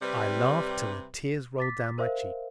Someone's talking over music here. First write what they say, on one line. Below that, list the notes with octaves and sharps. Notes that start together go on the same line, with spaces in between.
I laughed till the tears rolled down my cheeks.
C3 G3 B4
D6 A6 B6
A#4 C5 E5 F5